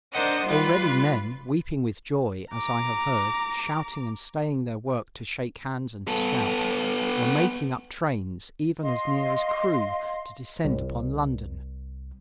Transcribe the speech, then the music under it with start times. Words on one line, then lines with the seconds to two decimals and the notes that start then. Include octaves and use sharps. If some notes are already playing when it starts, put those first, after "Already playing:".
Already men, weeping with joy, as I have heard, shouting and staying their work to shake hands and shout, were making up trains, even as near as Crewe, to descend upon London.
0.13 D4 A#4 C5 D#5 F#5
0.44 G3 F4 B4
2.52 A#5 D6
6.08 B3 A4
8.83 D#5 F5 C6
10.65 C2